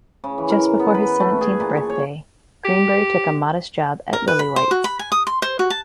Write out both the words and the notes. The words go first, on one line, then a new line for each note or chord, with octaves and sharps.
Just before his seventeenth birthday, Greenbury took a modest job at Lillywhites.
C#3
E3
A#4
B3
B4
A3
G#4
A#2
C#6
C#5
G4
A#4
B4
B5
C5
F#4
B5
G#5
D#6
C6
C5
F#4
A5